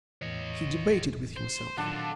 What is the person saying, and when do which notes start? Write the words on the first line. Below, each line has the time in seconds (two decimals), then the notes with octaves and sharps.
He debated with himself.
0.22 E2 A2 E3 C#5 D#5
1.36 C5
1.77 A#2 D#3 F#3 D4 F4 A4 F#5